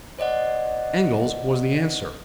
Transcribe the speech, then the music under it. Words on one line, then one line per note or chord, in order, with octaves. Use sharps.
"Angles," was the answer.
C5 D5 D#5 F#5